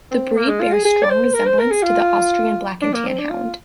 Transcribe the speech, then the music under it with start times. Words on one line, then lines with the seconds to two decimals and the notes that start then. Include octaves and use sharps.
The breed bears strong resemblance to the Austrian Black and Tan Hound.
0.11 C4
0.36 A#3
0.48 G#3
0.61 F4
0.72 G#4
0.85 G#4
1.03 D5
1.10 C5
1.34 A#4
1.46 C5
1.59 A#4
1.71 G#4
1.83 F4
2.82 D4
2.93 A#3
3.06 C4
3.18 D4
3.30 F4